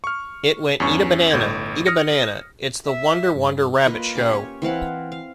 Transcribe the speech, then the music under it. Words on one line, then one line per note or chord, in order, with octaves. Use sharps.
It went Eat a banana, eat a banana- It's the Wonder Wonder Rabbit Show.
C#6 F6
E2 G2 C#4 C#6
G1 A2 G6 G#6
D#6 F6 A#6 C#7
E5
G2
A#3 F4 B4 D#5
C#4 G4 G#5 D6
C#5
E3 C4 F5 F#5
F5